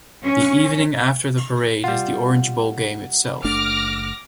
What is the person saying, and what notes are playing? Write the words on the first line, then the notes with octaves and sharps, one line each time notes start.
The evening after the Parade is the Orange Bowl game itself.
C#4
G3 F4 F#5
F#1 A3 D4 D6 F6 A#6